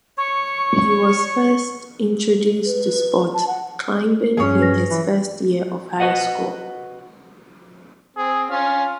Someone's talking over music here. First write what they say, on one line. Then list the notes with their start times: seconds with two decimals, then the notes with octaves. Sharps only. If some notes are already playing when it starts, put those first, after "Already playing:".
He was first introduced to sport climbing in his first year of high school.
0.18 C#5 C#6
2.64 B4
3.34 A5
3.47 F#5
4.37 G2 F3 C#4 G#4 C#5
4.60 B4 A#6
4.90 E3
6.00 F#4 B4 D#5 F#5
8.16 C4 G#4
8.50 C#4 F4 G#5 F6